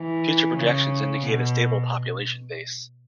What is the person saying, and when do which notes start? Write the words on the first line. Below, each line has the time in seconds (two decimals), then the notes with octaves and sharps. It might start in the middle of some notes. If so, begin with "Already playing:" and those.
Future projections indicate a stable population base.
Already playing: E3
0.57 C#3
1.24 B2